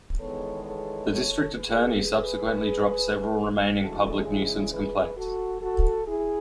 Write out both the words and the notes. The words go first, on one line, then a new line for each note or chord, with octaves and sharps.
The District Attorney subsequently dropped several remaining public nuisance complaints.
E2 D#3 G#3 B3 A4 C#5
A4 C#5
A4 C#5
G#4 B4
C#3 E3 G#3 F#4 A4
E4 G#4
G#4 B4
F#4 A4
F#4 A4
E4 G#4